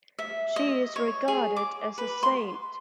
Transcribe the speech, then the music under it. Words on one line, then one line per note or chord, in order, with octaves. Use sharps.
She is regarded as a saint.
E5
D#5
C#5
G#4
D6
B4
C6